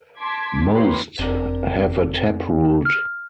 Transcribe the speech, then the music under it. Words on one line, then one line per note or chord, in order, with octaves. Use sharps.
Most have a taproot.
A5 C6 D6 G#6 B6
G4 A#4 B4 C#5 B5 C6
F#1 F2 C3 D4 A#4
F6